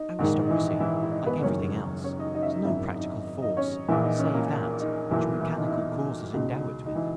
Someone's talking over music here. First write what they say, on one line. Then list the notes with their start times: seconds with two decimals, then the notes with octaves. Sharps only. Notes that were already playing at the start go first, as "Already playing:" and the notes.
Aristocracy, like everything else, has no practical force save that which mechanical causes endow it with.
Already playing: D#4
0.19 A#1 G#2 D#3
0.46 D#4
0.50 E3 E4
0.70 D#4
0.80 E3 E4
1.02 E4
1.11 D#4
1.26 B3 B4
1.42 F#1 F#2 D#3 C#4 C#5
2.04 C#4 C#5
2.19 D#4 D#5
2.35 D#4 D#5
2.42 E5
2.50 D#4 D#5
2.65 G#1 F#2 D#3 E4 E5
2.95 D#4 D#5
3.42 D#4 D#5
3.57 C#4 C#5
3.88 A#1 A#2 E3 E4
4.03 D#4
4.19 C#4
4.34 A#3 A#4
4.80 D#4
5.11 B1 A#2 E3 E4
5.41 E3 E4
5.57 D#4
5.68 E4
5.73 D#4
6.33 C#2 B2 D#4
6.50 D#4
6.86 D#4
6.95 E3 E4